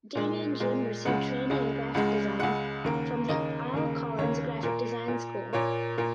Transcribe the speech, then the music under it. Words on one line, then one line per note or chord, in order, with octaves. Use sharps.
Damian Jim received training in graphic design from the Al Collins Graphic Design School.
A#2 G#3
A#2 G#3
C#2 C#3 G#3 F#5
C#2 C#3 G#3
C#2 C#3 G#3 F#5
C#2 C#3 G#3 F#5
D#2 C#3 A#3
D#2 C#3 A#3 D#5
D#2 C#3 A#3
D#2 C#3 A#3 C#5
A#2 A#3
A#2 A#3
A#2 A#3 C#5
A#2 A#3